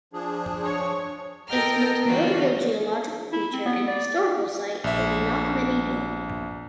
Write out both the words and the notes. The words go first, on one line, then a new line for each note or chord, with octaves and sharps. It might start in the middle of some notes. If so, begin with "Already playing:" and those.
Its most notable geological feature and historical site is Knockmany Hill.
F3 D4 G#4
C#5
A4 A#4 D#5 G5 A#5 F6
D3 E3 G3 F4 F#4
E4
C4
B3
D5
A#1 E5